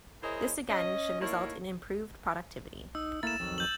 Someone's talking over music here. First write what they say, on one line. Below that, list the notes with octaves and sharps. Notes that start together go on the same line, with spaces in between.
This again should result in improved productivity.
E4 G#4 A#4 C5 C#5 D#5
C#4 D#5
A3 A#3 D#4 E4 C#5
D#4 E6
A3 A#3 E4 A6 E7
F2 D#3 F#3
G6 F#7